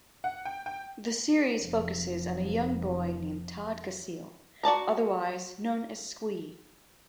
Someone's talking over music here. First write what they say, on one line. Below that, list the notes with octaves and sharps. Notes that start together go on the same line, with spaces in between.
The series focuses on a young boy named Todd Casil, otherwise known as Squee.
F#5
G5
G5
F1 F3
F#4 D5 A5 A#5